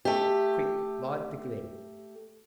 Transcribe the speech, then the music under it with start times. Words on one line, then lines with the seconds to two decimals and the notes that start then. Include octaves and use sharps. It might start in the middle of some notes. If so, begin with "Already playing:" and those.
Quick, light the glim!
0.05 A3 G4